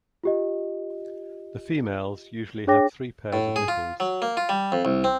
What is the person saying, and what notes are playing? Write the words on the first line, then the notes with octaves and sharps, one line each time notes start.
The females usually have three pairs of nipples.
F4 G4 D#5
D4 G#4 C#5 G5 D6 A#6
A2
G#4
F4
F#3
A#3
F4
G3
F2
C2
C4